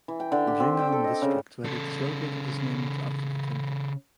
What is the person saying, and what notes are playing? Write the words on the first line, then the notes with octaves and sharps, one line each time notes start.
Jing'an District, where it is located, is named after the temple.
E3
G5
D3
G4
C4
G5
A4
D#5
C#3
C#3 A4